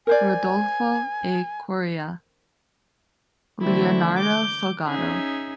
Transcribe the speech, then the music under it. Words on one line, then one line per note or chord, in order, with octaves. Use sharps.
Rodolfo A. Coria, Leonardo Salgado.
A#4 C5 D5 G#5
D3 E3 G3 A3 C4 E4
D6 G6
C#4 D#4 G#4 E5